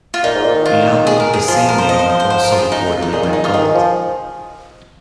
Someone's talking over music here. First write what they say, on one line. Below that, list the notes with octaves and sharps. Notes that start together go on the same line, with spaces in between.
The album of the same name also reportedly went gold.
F4
A#2 D#4
G#2
A#2
D#3
F4
G#4
A#4
G#4
F3 F4
A#4
C5
D#5
C5
C5
C5
C5
A#4
F4
G#4
D#4
F4
D#4
A#2 G#4
D#3 F4
D#4
F4
D#3 G#4
F3